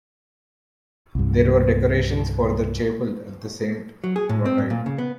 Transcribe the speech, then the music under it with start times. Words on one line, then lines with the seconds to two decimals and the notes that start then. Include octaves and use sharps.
There were decorations for the chapel at Saint-Clotilde.
1.15 C2 G2
4.04 F#3
4.16 G#4
4.29 A2
4.46 C4
4.58 A2
4.70 A#2
4.86 C#3
4.98 B3